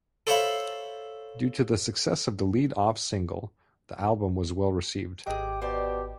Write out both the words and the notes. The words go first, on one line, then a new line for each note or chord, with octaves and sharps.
Due to the success of the lead-off single, the album was as well received.
A4 C5 C#5 E5 F5 B5
G#1 F#3 G4 G#4 D#5 D6
B2 G4 C5 D5